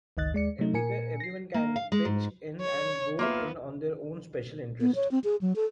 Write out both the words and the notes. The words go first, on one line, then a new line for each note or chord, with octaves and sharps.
Everyone can pitch in and go in on their own special interest.
G1 C#2 D#3 D#5 F#6 A6
D#2 G#3 D5 C#7
C3 F#3 A3 D#4
A#2 A#4 G#5 C#7
A#6 C7
A#3
F5
G#3
G#2
C#5
A#3 B3 F4 E5
B3
C#5
C4
G#4
F#3
A4